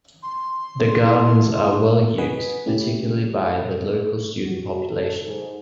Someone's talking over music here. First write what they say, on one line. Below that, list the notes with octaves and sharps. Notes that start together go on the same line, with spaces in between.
The gardens are well used, particularly by the local student population.
C6
E4 A4
B4 D#5 F#5 G#5 B6
A3 C#4 E4 G4
F#4
A4
G#2